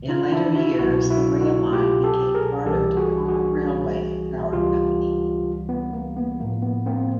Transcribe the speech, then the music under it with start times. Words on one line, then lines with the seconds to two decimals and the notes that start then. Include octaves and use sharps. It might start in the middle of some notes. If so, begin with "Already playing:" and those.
In later years, the rail line became part of Tacoma Railway and Power Company.
Already playing: D2 C#3 E3
0.08 D#4 F4
0.32 D4 E4
0.56 E4 F#4
0.79 C2 B2 F#3 E4 F#4
1.10 E4 F#4
1.41 E4 F#4
1.73 F4 G4
2.03 G4 A4
2.35 G#4 A#4
2.66 C2 C3 E3 G3 G4 A4
2.97 F#4 G#4
3.28 F#4 G#4
4.52 C#2 C3 E3 G3 F4 G4
5.69 B3
5.93 A#3
6.16 B3
6.40 A2 F3 A#3
6.62 B3
6.86 A#3 C4